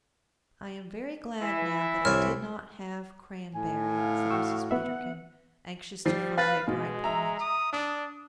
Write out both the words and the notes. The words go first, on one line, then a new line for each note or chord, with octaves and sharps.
"I am very glad now that I did not have cranberry," said Mrs. Peterkin, anxious to find a bright point.
E3 E4 E5
C2 D4 C#5 F6
A2 G#5
F5
F#4 G5 C#6 E6
B3 E5 F#5
F3 G3 C7
B4 F5 A6
B2 G#3
E5 A#5
D#6
D4 D#6